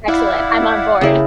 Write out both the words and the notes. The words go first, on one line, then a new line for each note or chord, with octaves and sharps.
excellent, I'm on board.
E4 D5 F5 F#5
C#3 A#3 E4 G4